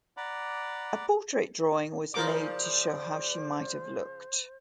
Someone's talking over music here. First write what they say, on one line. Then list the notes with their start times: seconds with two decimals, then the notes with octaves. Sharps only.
A portrait drawing was made to show how she might have looked.
0.17 D5 F#5 A#5 B5 D6
2.14 C#3 F3 F4 A#4 C5 D5 D6